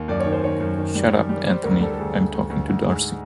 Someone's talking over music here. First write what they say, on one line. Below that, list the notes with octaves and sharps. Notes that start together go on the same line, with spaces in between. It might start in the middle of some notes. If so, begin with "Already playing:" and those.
Shut up, Anthony, I'm talking to Darcy.
Already playing: D#2
F#2 D5
C#5
D#3
C5
D#3 C#5
F#2
D#3
G3
F#2
G3
G3 C5
D2 A#4
G3 A4
A4
D2 G#4
D2
D2
D2
D2
G#2 G#4